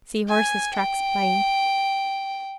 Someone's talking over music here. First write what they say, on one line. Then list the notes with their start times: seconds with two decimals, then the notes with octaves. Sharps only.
See horse's tracks plain.
0.29 G#5
0.75 G5